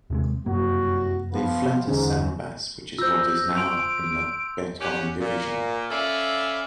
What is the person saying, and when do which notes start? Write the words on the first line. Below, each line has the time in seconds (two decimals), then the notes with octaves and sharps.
They fled to Saribas which is what is now in the Betong Division.
0.10 D#2 C3 G#3
0.46 F1 C2 F#2 F#3 A#3 F#4
1.32 F3 B3
1.88 E2 G#2 D3 C#4
2.98 F4 C5 E6 G6 A#6
3.57 C6 D7 F7
4.81 C#4 G4 F#5
5.21 A#2
5.91 C#4 A4 D5 E5 F5 B5